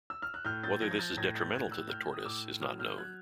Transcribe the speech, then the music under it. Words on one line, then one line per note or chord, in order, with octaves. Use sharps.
Whether this is detrimental to the tortoise is not known.
E6
F6
F#6
A2 F6 G6
G6 A6
F3 G#6 A#6
G#6
G6 A6
A2 G#6 A#6
G6 A6
A2 F#6 G#6
E6 F#6
A2 F6 G6
D#6
A2 D6 E6
F#3 D#6 F6
F6 G6
F#3 F#6 G#6